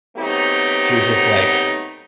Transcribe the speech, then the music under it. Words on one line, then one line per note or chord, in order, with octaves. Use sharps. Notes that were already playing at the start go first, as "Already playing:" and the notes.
She was just, like
F#3 A3 B3 C4 D#4 G4